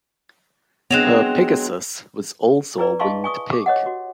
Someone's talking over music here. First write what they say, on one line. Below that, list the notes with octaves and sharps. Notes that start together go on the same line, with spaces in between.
Her Pigasus was also a winged pig.
F#3 G#3 B3 C4 D4 F#6 E7 F7
E4 G#4 B4 D5
G#4 D#5 F5 A5 C6 C#6
G#5 C#6 D#6
G4 D6
C#5 D#5 F#5
F#4